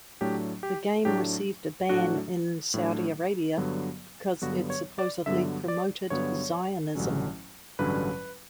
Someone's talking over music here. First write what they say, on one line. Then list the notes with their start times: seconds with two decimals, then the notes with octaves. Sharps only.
The game received a ban in Saudi Arabia because it supposedly promoted Zionism.
0.21 A2 F#3 A3 D4 G4
0.63 G4
1.05 A2 F#3 A3 D4 G4
1.89 A2 F#3 A3 D4 F#4
2.74 A2 F#3 A3 D4
3.57 G2 D3 F#3 B3
4.42 G2 D3 F#3 B3 F#4
4.70 C#5
4.99 D5
5.26 G2 D3 F#3 B3 E5
5.68 D5
6.10 G2 D3 F#3 B3 C#5
6.95 A1 G2 D3 F#3 C#4
7.79 A1 G2 D3 F#3 C#4 B4